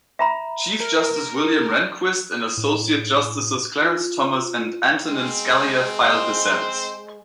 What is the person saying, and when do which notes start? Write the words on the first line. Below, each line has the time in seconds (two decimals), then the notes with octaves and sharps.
Chief Justice William Rehnquist, and Associate Justices Clarence Thomas, and Antonin Scalia filed dissents.
0.19 E5 A#5 B5
0.80 A#4
2.57 A2
3.82 F4
5.08 G#3 C4
6.01 C5 D#5